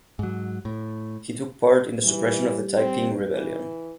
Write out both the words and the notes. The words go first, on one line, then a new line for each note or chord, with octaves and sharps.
He took part in the suppression of the Taiping Rebellion.
G#2 F#3
A2
E3 G3
C4
E3